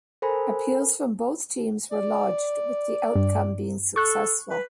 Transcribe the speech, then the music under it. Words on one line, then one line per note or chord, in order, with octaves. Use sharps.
Appeals from both teams were lodged, with the outcome being successful.
A4 A#4 C5 G#5 B5
D5
G2
A4 C#6 F#6
B4